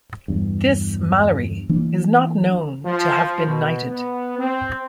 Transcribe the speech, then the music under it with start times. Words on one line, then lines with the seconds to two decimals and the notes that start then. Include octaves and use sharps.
This Malory is not known to have been knighted.
0.28 E2 G2
1.69 E3 A#3 D4
2.86 F3
3.47 B2
3.88 B3
4.39 C4